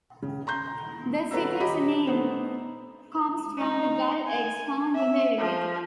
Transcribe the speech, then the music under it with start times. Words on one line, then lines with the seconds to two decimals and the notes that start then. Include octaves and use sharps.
The city's named comes from the gull eggs found in the area.
0.22 C#3
0.47 A#5 C6 G6
1.31 F#4 A4 B4 C#5 A#5 E6
1.60 G4 C#5 D#5 A#5 B5
2.07 A3 B3 D#4 C5
3.58 D#4
4.27 G#5
4.94 E5
5.38 F3